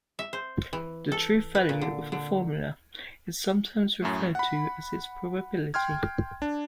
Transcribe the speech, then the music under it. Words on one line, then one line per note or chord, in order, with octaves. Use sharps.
The truth value of a formula is sometimes referred to as its probability.
E5
C5
E3
A4
B4
A#2
D3
D3
F#2 A2 A3
F#5 B5
G5 C6 F6 G#6
D4